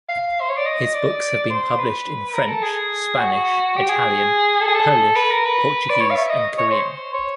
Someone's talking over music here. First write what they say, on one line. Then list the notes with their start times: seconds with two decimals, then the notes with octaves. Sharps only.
His books have been published in French, Spanish, Italian, Polish, Portuguese and Korean.
0.09 F5
0.40 C5
0.49 C#5
0.58 D5
0.65 D#5
0.94 D5
1.50 C5
1.79 B4
2.34 A#4
2.49 A4
2.63 G#4
3.19 F#4
3.76 G4
3.89 G#4
4.61 A4
4.68 G#4
4.74 A4
5.16 B4
5.31 A#4
5.45 B4
5.90 D5
6.01 C#5
6.10 F5
6.16 E5
6.29 D#5
6.58 C#5
6.71 C5
7.14 C#5